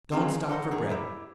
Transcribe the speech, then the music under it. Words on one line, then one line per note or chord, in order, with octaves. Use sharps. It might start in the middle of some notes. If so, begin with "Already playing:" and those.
Don’t stop for breath.
C4 C#4 F4 G#4 A#4 B4
A4 A#4 C5 F#5
E3 G#4 A#5
E4 G4